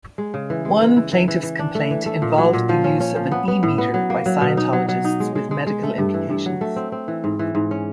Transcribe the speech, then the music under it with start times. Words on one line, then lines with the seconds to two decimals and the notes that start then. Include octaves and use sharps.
One plaintiff's complaint involved the use of an E-Meter by Scientologists with medical implications.
0.18 G#3
0.34 C#3
0.50 E3
0.65 G#3
0.81 E3
0.96 E3
1.13 E3
1.28 E3
1.43 E3
1.59 D4
1.75 A3
1.91 E3
2.06 A3
2.22 A#2
2.38 F#3
2.53 A#2
2.69 F3
2.84 C#4
3.00 C#4
3.16 F3
3.31 B3
3.48 B3
3.63 A2
3.78 B3
3.94 F#3
4.10 A#3
4.26 F#3
4.41 B2
4.57 D#4
4.73 F#3
4.89 F#3
5.04 D#4
5.20 G#3
5.35 G#3
5.51 G#3
5.66 G#3
5.83 A3
5.98 G2
6.14 E3
6.29 G2
6.46 F#3
6.61 A3
6.76 C4
6.92 C4
7.08 E3
7.24 G#2
7.39 E3
7.55 G#2
7.71 C#4